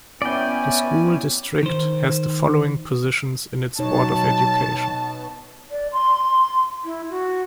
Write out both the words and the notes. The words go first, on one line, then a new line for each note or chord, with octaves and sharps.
The school district has the following positions in its Board of Education.
B3 C#4 E4 D5 G5 G#5
D#3 C5
B2 F#3 D#4 C#5 A5
D5
C6
E4
F#4